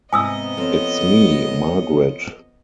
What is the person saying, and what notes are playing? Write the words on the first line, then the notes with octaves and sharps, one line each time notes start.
It's Me, Margaret.
G#2 C3 B3 C4 D#5 G#5 D#6 E6
F3 C4 A4 C#5